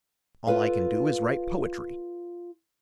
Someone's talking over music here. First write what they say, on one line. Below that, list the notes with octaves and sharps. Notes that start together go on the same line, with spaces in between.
All I can do is write poetry.
F4 A4 B4 F5